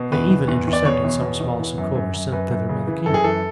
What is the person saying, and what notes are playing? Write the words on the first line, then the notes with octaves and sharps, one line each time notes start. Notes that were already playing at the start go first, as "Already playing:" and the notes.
They even intercepted some small succors sent thither by the king.
Already playing: B2
E2 B4
E2
E2
E2
D5
B2 C#5
E2
B2
E2
E3
F#2
F#2
F#2
F#2 B4
F#2
C#3
E3
F#2 A4
G#4
E3 A4